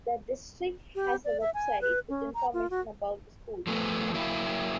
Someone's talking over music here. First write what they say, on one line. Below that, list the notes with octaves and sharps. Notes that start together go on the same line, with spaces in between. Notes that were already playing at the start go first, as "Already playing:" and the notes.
The district has a web site with information about the schools.
G4
D5
E5
G#5
B4
C#4
A#5
F4
F#4
F3 A3 B3
F#3 A#3 E4